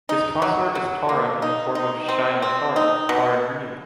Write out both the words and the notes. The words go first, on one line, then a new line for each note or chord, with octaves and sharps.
His consort is Tara in the form of Shyamatara, Tara green.
D#4
F#3
F#3
A#3
D#4
D#4
C4
C4
D#4
B2